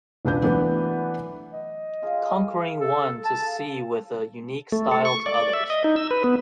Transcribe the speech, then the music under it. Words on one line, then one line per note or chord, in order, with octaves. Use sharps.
Conquering one to see with a unique style to others.
E1 C#2 D4 B4 G6
E3 F#3 A3 B3 D4 B4
D#5
F4 G#4 A#4
A4
A5
G#4 F5
A3
A4
C#6
D5
E5
D#5
D#4
E6
B4
B3